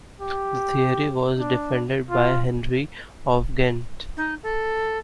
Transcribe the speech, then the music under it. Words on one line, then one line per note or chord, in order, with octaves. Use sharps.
The theory was defended by Henry of Ghent.
G4
D4
F4
D#4
A4